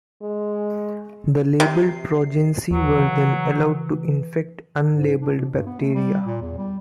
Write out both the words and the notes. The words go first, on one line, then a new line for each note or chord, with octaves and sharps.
The labeled progeny were then allowed to infect unlabeled bacteria.
G#3
C3 C7
D#2 E3 F#3
C#3
G#2
D4
B2
G2
B3
A3
G3
A#2
E2
G3